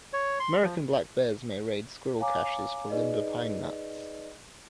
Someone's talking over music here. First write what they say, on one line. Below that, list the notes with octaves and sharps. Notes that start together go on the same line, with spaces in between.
American black bears may raid squirrel caches for limber pine nuts.
C#5
C6
F3
C#5 F5 G#5 A#5 D6
D#4 G#4 B4 D5 D#5